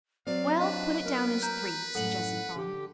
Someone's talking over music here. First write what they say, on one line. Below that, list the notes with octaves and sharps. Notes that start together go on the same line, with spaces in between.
"Well, put it down as three," suggested Thong.
F#3 C4 D5 F5
D4 B4 D#5 F5
A#4
A#5 G6
F#2 A2 A4 F#5 F#7
D3 G4